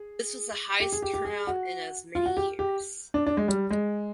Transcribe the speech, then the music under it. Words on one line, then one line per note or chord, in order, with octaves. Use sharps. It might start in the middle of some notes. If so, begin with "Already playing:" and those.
This was the highest turnout in as many years.
Already playing: G#4
G4
G#4
G4
G4
G#4
F#4
F4
F#4
G4
G4
D4
D4
G#3
G3
G#3